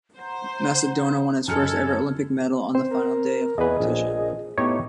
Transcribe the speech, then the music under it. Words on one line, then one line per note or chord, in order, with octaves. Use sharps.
Macedonia won its first ever Olympic medal on the final day of competition.
C5 F#5 A#5
F#2 A4 D#5 G#5 F6 G#6 C#7
C4 C5
A#4
E2 G#4 B4 D#5
A#1
A2 B3 D#4 G4 C#5